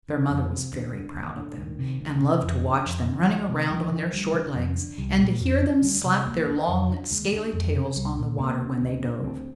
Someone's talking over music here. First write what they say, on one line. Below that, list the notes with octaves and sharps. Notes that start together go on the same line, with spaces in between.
Their mother was very proud of them, and loved to watch them running around on their short legs, and to hear them slap their long, scaly tails on the water when they dove.
D3
F2
C3
D#2 D3
D3
D#2
D3
D2 D#3
C3
D2
C3
F2
D3
F2
D3
G3
D2 F3
C3
D2 G3
F3
D3 D#3
F3
D2 G3
D3
F2
D3
C2 G3
A#2
F2
D3
D2 G3
C3
G3
G#3
D#2 A#3
D3
F2
D3
D#2 G#3
D3
F2 G#3
C3
C2 G3
A#2
D#2 A#3
D3
D2
D3
D2 C4